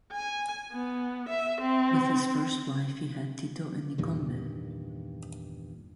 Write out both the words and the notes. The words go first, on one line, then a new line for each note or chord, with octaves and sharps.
With his first wife he had Tito and Nikombe.
G#5
B3
E5
C4
E2 G2 A#2 D#3